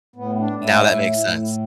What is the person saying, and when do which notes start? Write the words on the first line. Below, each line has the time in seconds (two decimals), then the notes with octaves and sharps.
Now that makes sense.
0.16 A2 B3
0.38 D4
0.51 A2
0.62 E4
0.84 A2
1.18 A2